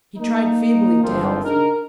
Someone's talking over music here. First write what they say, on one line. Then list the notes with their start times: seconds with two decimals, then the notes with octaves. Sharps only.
He tried feebly to help them.
0.18 A#3 D#4
1.03 G1 C2 G#2 F3 C4 C5
1.45 D4 D#4 G#4 A#4